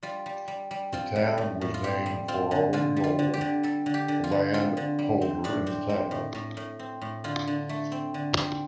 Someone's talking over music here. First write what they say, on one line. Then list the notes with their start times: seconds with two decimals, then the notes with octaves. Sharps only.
The town was named for Robert Gould, a landholder in the town.
0.03 G3 F4
0.26 G3
0.48 G3
0.71 G3
0.93 C4 F4
1.16 G3
1.38 A2
1.61 A2
1.74 F4
1.84 C4 G4
2.06 G3
2.28 C4 F4
2.51 D3
2.73 D3 F4
2.97 G3
3.04 F4
3.19 D3
3.34 G4
3.41 D3
3.63 G3 A4
3.86 D3
3.94 G4
4.08 D3
4.24 F4
4.32 D3
4.54 C4 F4
4.77 D3
4.99 G3
5.22 C4
5.44 A2 D4
5.66 C4
5.89 C4
6.11 A2
6.35 A2
6.57 A2
6.79 C4
7.01 A2
7.24 D3 F4
7.47 D3
7.69 A3
7.92 C4
8.14 D3
8.38 C4